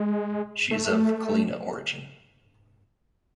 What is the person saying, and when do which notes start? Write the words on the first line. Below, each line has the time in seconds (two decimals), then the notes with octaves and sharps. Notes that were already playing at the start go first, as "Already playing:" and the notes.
She is of Kalina origin.
Already playing: G#3
0.71 A3